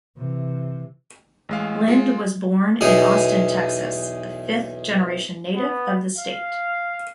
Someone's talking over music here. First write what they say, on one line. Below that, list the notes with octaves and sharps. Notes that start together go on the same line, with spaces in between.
Lind was born in Austin, Texas, a fifth-generation native of the state.
C3 E3
A1 G#3 F5
G#3 F4
B1 E2 D#4 G#4
B3
F5